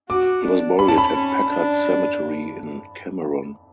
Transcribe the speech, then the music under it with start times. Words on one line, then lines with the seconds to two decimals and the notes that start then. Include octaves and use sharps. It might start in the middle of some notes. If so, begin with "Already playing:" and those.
He was buried at Packard Cemetery in Cameron.
0.09 F#4 D6
0.44 D4
0.79 C#4 B5
0.88 A5
0.98 B5
1.13 C#4
1.49 D4